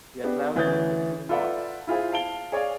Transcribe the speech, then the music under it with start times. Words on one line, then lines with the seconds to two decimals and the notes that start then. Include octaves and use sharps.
We are travelling at fifteen knots.
0.24 B3 D4 G4
0.55 D2 E3 C#4 D#6 G6 A6
1.29 F4 A4 B4 D5 E5 F#5
1.87 E4 F4 G#4 C5
2.12 F5 A5 D7 G7
2.52 G#4 C#5 D5 F5